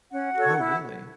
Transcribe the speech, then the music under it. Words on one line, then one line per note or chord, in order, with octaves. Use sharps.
Oh, really?
C#4 F#5
F#4 A4 C#5
E4